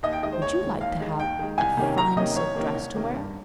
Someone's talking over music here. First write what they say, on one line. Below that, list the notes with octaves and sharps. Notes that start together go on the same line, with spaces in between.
'Would you like to have a fine silk dress to wear?'
D#2 D#5
G5
D#3 G#3 D#5
C5
D#2 C#5
D#3 G#3
D#2 F5
D#3 G#3
D#2 G5
D#3 G#3
C2 G#5
C3 D#3 A#3 C#4
C2 A#5
C3 D#3 A#3 C#4 D#5
C2 C#5
C3 D#3 A#3 C#4
C2
C3 D#3 A#3 C#4
G2